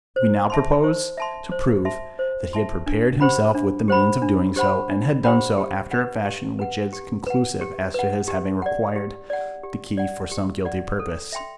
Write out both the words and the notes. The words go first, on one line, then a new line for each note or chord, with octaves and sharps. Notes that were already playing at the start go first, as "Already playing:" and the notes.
We now propose to prove that he had prepared himself with the means of doing so, and had done so after a fashion which is conclusive as to his having required the key for some guilty purpose.
C5
E5 A5 C6
C5
E5 A5 C6
C5
E5 A5 C6
C5
E5 A5 C6
D4
G4 C5 F#5 B5
D4
G4 C5 F#5 B5
D4
G4 C5 F#5 B5
D4
G4 C5 F#5 B5
G4
B4 F#5
G4
B4 F#5
G4
B4 F#5
G4
B4 F#5
G4
D5 F#5
G4
D5 F#5
G4
D5 F#5
G4
D5 F#5
A4
E5 G5 C6